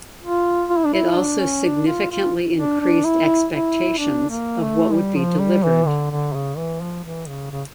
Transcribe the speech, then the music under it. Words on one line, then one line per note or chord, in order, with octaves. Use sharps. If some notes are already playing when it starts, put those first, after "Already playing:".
It also significantly increased expectations of what would be delivered.
F4
F4
E4
D4
E4
D4
C#4
D4
F4
F4
D4
D4
E4
E4
D4
A#3
A3
G3
F3
G3
E3
D3
D3
C#3
E3
F3
E3
C#3
C#3